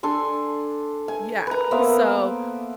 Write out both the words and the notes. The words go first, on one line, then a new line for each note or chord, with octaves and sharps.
Yeah, so,
D4 A4 G#5 C6
G#5
B4 A#5
A#3 B3 C5 E5